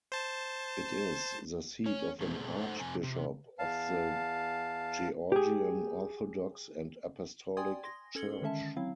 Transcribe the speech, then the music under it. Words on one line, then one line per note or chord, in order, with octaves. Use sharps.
It is the seat of an archbishop of the Georgian Orthodox and Apostolic Church.
C5 A5
C#4 C#5
B2 A3 C4 G#4
D#4 A4 C5 F#5
F2 C3 G#5
C3
E2 F5 A5
G4 G#4
D5 G5 G#5 C6 D#6 G#6
C6 A#6
C#4 A4 G#6 C#7 F#7 G7
D3 D#3 G#3 C#4 E5 A5
F#3 C4 E4 F5